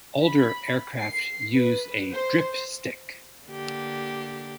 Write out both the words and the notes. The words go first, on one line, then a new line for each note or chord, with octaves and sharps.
Older aircraft use a dripstick.
B5
C7
B4
C5
D3 A#3 G4